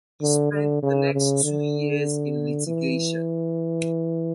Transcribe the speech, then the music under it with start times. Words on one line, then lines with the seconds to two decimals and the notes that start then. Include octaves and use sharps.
He spent the next two years in litigation.
0.21 D3
0.52 D3
0.82 C#3
1.13 C#3
1.44 D3
2.67 E3